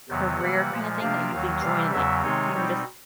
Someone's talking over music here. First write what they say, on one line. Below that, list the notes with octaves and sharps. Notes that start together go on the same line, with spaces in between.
career kind of thing that you could join and, like, you can just,
E2 C3 D#3 F#3 B3
C3 E3 G3 A#3 F#5
A#2 F3 G#3
C3 F3 A#3 D4 F5
D#2 D#3 F#3
C3 E3 G3 F5
E2 C#3 F#3 E5
C3 D#3 G#3 C4 D#4 C#5
B2 G3 C4 D#4